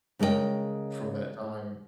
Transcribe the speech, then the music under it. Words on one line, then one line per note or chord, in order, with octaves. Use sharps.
from that time.
C#3 G#3 A#4 D5 G5